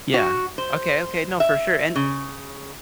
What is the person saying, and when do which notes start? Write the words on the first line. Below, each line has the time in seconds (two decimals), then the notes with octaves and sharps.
Yeah. Okay, okay. No, for sure, and, eh
0.14 F#4
0.58 C5
1.40 E5
1.96 C#3